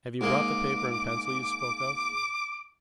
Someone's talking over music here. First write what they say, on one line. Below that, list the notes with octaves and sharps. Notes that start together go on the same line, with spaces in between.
Have you brought the paper and pencil you spoke of?
G#2 A#3 D6